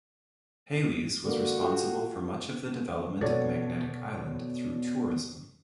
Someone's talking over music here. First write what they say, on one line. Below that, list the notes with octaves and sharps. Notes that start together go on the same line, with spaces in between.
Hayles was responsible for much of the development of Magnetic Island through tourism.
D3 A#3 F#4
F4 G4 A4
B2 B3 A4 C#5 D5 A6